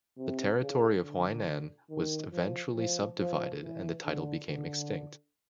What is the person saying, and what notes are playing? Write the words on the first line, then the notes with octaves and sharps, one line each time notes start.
The territory of Huainan was eventually subdivided and the title became extinct.
C3
C#3
D3
D#3
F3
F3
F3
E3
D3
D3